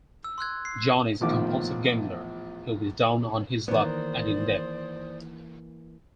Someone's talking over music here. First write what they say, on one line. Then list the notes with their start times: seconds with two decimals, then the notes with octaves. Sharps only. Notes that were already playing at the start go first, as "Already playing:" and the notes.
Johnny is a compulsive gambler who is down on his luck and in debt.
0.24 E6
0.38 C6 E6 F#6 G#6
0.65 C7
1.21 A#1 E2 A2 D#3 F3 D6
3.68 D#3 E3 A#3 B3 C5 D5 D#6